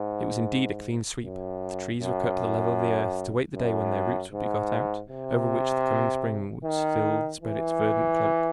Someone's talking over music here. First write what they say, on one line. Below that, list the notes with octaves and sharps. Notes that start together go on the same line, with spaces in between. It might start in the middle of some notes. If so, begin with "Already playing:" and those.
It was indeed a clean sweep; the trees were cut to the level of the earth, to wait the day when their roots would be got out, over which the coming spring would still spread its verdant cloak.
Already playing: G#2
F#2
F#2
F#2
G#2
C3
D#3
E3